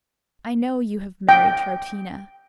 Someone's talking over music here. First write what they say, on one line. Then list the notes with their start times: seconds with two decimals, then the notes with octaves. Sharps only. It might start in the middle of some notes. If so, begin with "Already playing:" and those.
I know you have married Troutina.
1.29 G5